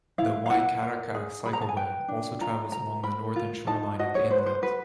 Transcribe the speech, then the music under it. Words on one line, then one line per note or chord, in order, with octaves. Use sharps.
The Waikaraka Cycleway also travels along the northern shoreline of the inlet.
E4 F5
F5
E4 F#5
A#4
G#4
G#4 B5
A#5
A5
G#5
B4 G5
D4
F4 A#5
A#4 A#5
A#4 B5
F4
D#4 A5
F#4 D#5
C#5
B4 C5
C5
F#4 B4